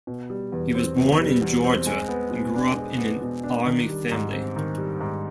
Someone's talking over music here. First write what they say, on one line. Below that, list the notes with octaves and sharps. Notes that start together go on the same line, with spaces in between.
He was born in Georgia and grew up in an Army family.
B2
G3
E2
C4
B2
G3
E2
C4
G#3
B3
B2
D4
G#3
B3
B2
D4
D#3
G3
G#2
C4
D#3
G3
G#2